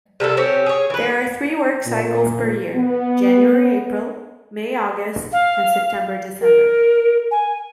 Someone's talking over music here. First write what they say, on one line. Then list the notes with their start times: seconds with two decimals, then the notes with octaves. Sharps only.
There are three work cycles per year: January-April, May-August, and September-December.
0.20 C3 G3 A#3 A4
0.37 C4 C#4 G4
0.66 G#4 C#5
0.90 E3 B4
1.86 A#2
2.75 B3
5.32 F5
6.41 A#4
7.31 G#5